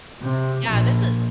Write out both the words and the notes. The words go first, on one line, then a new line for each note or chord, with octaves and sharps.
Yeah, this i
C3
A#1